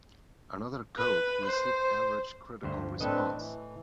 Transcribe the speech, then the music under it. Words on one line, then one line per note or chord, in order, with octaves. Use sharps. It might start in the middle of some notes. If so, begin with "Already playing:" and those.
"Another Code" received average critical response.
B4
C5
D2 G2 C5
A2 C4 D4 A4 B4 D#5
E3